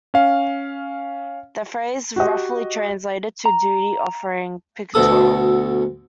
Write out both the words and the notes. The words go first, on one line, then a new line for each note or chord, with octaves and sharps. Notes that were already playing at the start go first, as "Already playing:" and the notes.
The phrase roughly translated to "duty offering pictorial".
C#4 F5
F#4 G4 D#5
A#5
D2 B2 A4 D#6